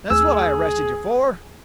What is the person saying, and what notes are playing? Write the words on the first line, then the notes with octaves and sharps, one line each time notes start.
"That's what I arrested you for."
D#2 A3 G#4 E6